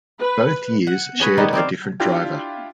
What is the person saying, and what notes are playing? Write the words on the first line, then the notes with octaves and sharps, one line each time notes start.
Both years shared a different driver.
B4
F#5
C#4 G#4 B4 C#5
D#3 G3 B3 D#4
C4 D5 F5
D4 E4 F4 G4 F5 G5